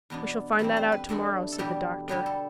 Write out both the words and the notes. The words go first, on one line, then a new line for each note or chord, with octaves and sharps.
"We shall find that out to-morrow," said the doctor.
E2 B2 B3 D4
E2 B2 G3 C4 A4
C5
B4
G2 E3 A3 D4 A4
A4
E2 B2 G3 B3 D4 G4
D3 G3 B3 D4 G4
A4